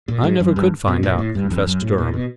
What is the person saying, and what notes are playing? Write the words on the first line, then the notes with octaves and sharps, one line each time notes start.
"I never could find out," confessed Durham.
A#2
G#2
F#2
G2
B2
A#2
A2
G2
F2
F#2
A2
A#2
B2